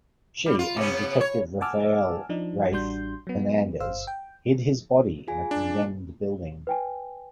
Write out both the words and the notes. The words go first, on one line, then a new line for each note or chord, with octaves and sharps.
She, and Detective Raphael "Rafe" Hernandez hid his body in a condemned building.
G3
F4
C3 B3 C#4
C#5
F#5 G#5 A5 D6 E6 F6
F3 D4 D#4
A1 G3 D4 F#4 C6 G6
F#3 B3
G1 C5 F5 E6
G5
F4 G#4 G#5
D4
B4 G5 G#5